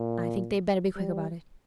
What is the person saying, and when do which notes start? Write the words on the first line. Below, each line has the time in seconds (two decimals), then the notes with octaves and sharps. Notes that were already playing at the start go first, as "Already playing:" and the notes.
I think they'd better be quick about it.'
Already playing: A#2
0.96 G3